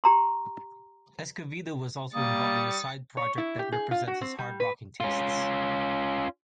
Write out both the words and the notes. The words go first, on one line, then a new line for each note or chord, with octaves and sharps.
Escovedo was also involved in a side project that represents his hard-rocking tastes.
G4 A#5 C6
G3 A#3 D#6 A6 C#7
C#5
E4
G4
G#4
F4
F#4
C4
G3
B4
C#4 F4